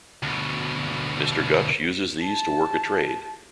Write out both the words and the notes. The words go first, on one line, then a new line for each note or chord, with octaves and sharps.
Mr. Gutch uses these to work a trade.
D2 B2
A5